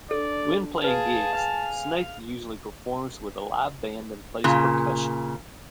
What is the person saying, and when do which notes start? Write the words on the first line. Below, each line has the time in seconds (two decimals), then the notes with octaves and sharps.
When playing gigs, Snaith usually performs with a live band and plays percussion.
0.11 D4 A4 D5
0.84 G#4 B4 F5 A5
1.36 F5 G#5
4.44 A#2 C#3